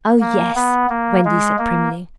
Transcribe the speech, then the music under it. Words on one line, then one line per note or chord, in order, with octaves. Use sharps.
'Oh yes,' Wendy said primly.
A#3
B3
A#3
G#3
A#3